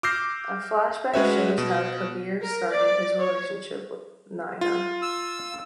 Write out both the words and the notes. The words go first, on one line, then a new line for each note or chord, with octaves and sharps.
A flashback shows how Kabir started his relationship with Naina.
D6 E6 F6 G6 A#6 C7
G#3 C#4 F#4 B4 C#5 E5
B2
A#4
D5
C#5
F4
E6